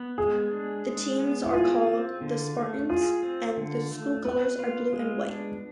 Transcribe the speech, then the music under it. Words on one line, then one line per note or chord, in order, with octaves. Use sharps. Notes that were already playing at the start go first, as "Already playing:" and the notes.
The teams are called the Spartans, and the school colors are blue and white.
Already playing: B3
G#3 G#4
D4
G#3
B3
E4
F4 G#4
C4
D3
A3
F4 G#4
C4
D3
A3
B3 B4
F4
G#3
D4